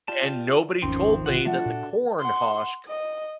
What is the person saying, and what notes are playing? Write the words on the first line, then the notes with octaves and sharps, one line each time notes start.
and nobody told me that the corn husk
F4 G4 D5 A5
G#1 E2 D#3 F3 C4 C#4 C6
A1 C3 D#3 F4 F#5
E3 F3 A3 D4 F#4 A4 E5 F#5
A#2
F#5 C6
D#5